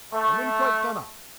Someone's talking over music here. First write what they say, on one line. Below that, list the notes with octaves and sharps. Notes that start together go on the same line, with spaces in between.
I'm really quite done up.
A3